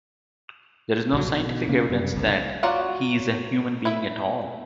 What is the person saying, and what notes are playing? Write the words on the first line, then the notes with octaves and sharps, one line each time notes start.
There is no scientific evidence that he is a human being at all.
A#1 C3 D#3 F#3
B2
C#3 A#3 C4 C#4
F#2 C3 G3
G1 C#2
F#3 F4 F#4 D5 F#5
E4 E5